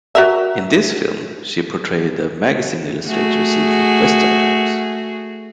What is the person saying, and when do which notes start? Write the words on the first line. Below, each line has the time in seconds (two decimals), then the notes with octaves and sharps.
In this film she portrayed a magazine illustrator seeking western types.
0.15 F#4 A#4 E5
3.06 A3 F#4 G#4